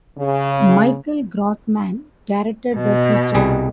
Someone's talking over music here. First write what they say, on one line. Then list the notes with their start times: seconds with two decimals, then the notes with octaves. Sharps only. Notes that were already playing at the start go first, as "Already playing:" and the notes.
Michael Grossman directed the feature.
0.18 C#3
2.75 B2
3.35 C2 G3 G#4